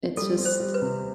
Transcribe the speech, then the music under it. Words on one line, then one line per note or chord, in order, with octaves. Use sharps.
it's just
G3 A4
C4
C5
G3
B4
C3